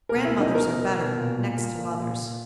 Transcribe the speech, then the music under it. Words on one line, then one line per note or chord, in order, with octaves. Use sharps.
Grandmothers are better, next to mothers.
A#4
B2
E4
B2 D#4
B2 A#4
B2
B2
A#2
A#2
A#2
A#2
A#2
A#2